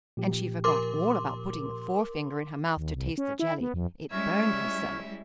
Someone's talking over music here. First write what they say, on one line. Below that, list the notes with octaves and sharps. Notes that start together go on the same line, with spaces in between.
And she forgot all about putting the forefinger in her mouth to taste the jelly, it burned her so.
A#2 F3 G4
A#4 C6 D6
D#2
C2
C#4
E4
B3
F2
G3 G#3 C#4 E4 E5 C#6 F6 G#6